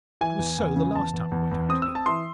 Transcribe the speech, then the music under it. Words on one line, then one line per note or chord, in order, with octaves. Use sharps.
It was so the last time we went out together.
E3 G#5
E2
E2
C#3
E2 A5
E2
E2
E2
C4 D#6
E6
C4
A5
E3 C6